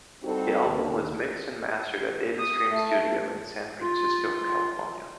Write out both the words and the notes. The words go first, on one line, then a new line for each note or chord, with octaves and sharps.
The album was mixed and mastered at Data Stream Studio in San Francisco, California.
G3 C4 D#4 F#4 A4
D#2
D#6
A3
F4